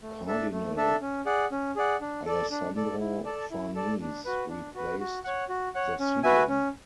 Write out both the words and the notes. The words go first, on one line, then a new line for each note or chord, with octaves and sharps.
Cardinal Alessandro Farnese replaced the ceiling.
A3
D4 A4 E5 A5
A3
D4 A4 E5 A5
C#4
G#4 D5 F#5
C#4
G#4 D5 F#5
D4
A4 D5
D4
A4 D5
E4
A4 D5 A5
E4
A4 D5 A5
D4
F#4 B4
D4
F#4 B4
F#4
C#5 F#5
F#4
C#5 F#5
C#4
F#4 B4 E5 G#5
C#4